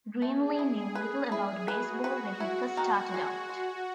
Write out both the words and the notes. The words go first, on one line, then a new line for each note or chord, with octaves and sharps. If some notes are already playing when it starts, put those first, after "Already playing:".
Greenlee knew little about baseball when he first started out.
A3 G#4
E4
G#4 B4
E4
F#4 B4
B4
E4
D#3
G#3
G#3